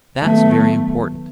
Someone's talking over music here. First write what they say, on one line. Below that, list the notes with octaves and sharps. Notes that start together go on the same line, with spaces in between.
That's very important.
D#3 F#3 A3 B3